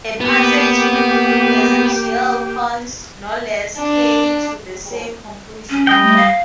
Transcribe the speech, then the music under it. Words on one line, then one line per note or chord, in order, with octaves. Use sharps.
A passage in Ezekiel points no less clearly to the same conclusion.
A#3 B3 G4
D4
C#4
G3 D#5 G5
A3
F5